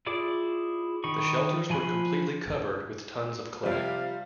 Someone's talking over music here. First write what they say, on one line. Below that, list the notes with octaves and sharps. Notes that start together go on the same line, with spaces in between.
The shelters were completely covered with tons of clay.
E4 F4 G#4 D5 D6
D#3 D#4 B5 C#6
F3 G#5 B5 C6 F#6
C3 F3 G3 F5